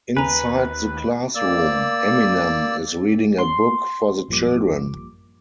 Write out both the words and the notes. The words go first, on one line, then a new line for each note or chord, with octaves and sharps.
Inside the classroom, Eminem is reading a book for the children.
D#2 B4 G#5 A#5
A#3 D5 E6
C6
A1 F#2 F3 G3 A#3 D6